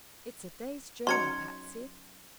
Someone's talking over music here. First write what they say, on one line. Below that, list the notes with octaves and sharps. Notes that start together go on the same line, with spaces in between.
"It's a day's journey, Patsy."
F#3 C#4 D#4 C6 G#6 C#7